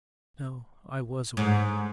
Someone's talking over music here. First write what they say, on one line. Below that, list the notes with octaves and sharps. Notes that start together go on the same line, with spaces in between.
"No--I was awake."
G#2